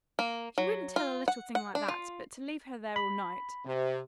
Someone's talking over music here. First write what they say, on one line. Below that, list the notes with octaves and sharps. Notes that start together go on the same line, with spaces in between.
She wouldn't tell a little thing like that, but to leave her there all night.
A#3
F#3
F4
F#5
F#5
D4
F4
B5
C3